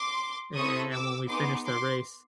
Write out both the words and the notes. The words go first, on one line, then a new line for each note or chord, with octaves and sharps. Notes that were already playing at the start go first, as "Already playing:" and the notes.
a a and when we finished that race,
Already playing: C6 D6
C4 E4 A4 C#6 D#6
D6 E6
B3 D#4 G#4 C6 D6
C6 D6